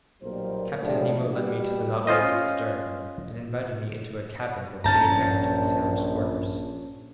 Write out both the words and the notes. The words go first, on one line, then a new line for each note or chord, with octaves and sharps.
Captain Nemo led me to the Nautilus's stern and invited me into a cabin located next to the sailors' quarters.
B1 A#2 G3 A#4 C5
A2 F3 G3 G#3 D4
B2 G3 F#4 G4
C#4 F4 C5 D#5
A#1 G2 C#4 A5 A#5 G6